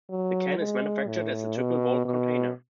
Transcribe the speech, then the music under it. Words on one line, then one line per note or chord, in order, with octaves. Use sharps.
The can is manufactured as a triple-walled container.
F#3
G#3
A2
B2
B2